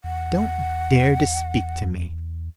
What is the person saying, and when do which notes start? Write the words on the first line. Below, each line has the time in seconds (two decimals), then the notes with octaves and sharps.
"Don't dare to speak to me."
0.04 E2 F#5